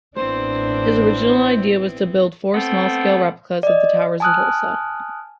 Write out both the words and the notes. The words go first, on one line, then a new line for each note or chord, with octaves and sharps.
His original idea was to build four small-scale replicas of the towers in Tulsa.
A1 B3 C4 D4 E4 C5
A3 B3 C4
D5 D#5
G#5 A5 D#6 F6 F#6